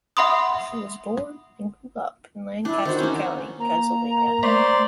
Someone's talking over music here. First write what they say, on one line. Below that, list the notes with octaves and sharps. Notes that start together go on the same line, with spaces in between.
He was born and grew up in Lancaster County, Pennsylvania.
E5 F#5 B5 C6 D#6
D4 E4
D#3 F#4 C5
C#4 D#4
A#3 A#5
A3 C5 D5 C6